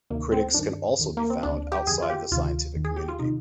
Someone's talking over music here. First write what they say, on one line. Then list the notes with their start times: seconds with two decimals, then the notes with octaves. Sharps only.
Critics can also be found outside of the scientific community.
0.10 D2 C3 D#3 A#3
0.32 C4
0.54 G2 D#3 D4
0.99 D#2 D#3
1.17 A#3
1.30 C4
1.43 D2 D3 D4
1.72 G4
1.87 F2 D3 G#4
2.02 F4
2.10 G4
2.31 D2 C3 D#3 F4
2.75 D#2 D#3
2.85 G#4
2.96 G4
3.08 F4
3.19 C3 D#3 D#4